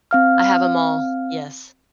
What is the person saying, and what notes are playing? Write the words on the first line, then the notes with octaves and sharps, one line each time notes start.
I have 'em all. Yes.
C4 F5 F6